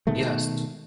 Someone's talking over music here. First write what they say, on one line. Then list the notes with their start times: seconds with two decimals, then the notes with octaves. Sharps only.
Yes, t
0.07 B2 D#3 G#3 A3